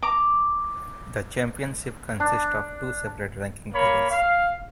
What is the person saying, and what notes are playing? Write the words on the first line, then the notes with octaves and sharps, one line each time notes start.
The championship consists of two separate ranking tables.
A#5 D6
D4
A#3 C#5 B5
F5